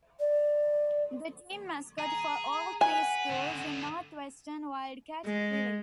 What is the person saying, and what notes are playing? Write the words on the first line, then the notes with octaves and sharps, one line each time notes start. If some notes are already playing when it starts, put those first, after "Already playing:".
The team mascot for all three schools is the Northwestern Wildcat, Willie.
D5
G#4 A#5
B4 G#5
F#5
D3 B3
G#3